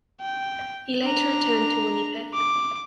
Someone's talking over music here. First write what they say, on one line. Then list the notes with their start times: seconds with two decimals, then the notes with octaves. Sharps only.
He later returned to Winnipeg.
0.22 G5
1.04 D4 A#5
2.34 D6